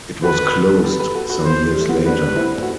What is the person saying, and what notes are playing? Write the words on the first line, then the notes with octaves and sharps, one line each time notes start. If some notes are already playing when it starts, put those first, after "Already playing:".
It was closed some years later.
F#4 A4 B4
A4
G4 B4
G4 B4
F#4 A4
F#4 A4
C5
G3
A3
B3
C4
B3 D4 B4
C4 E4
F#4